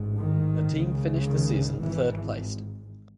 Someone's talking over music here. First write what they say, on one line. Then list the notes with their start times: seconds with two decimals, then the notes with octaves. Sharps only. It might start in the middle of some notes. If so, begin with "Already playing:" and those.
Her team finished the season third placed.
Already playing: A1 G#2
0.19 D#3
0.72 C#2 C#3
1.25 D#3
1.78 G#1 G#2 E3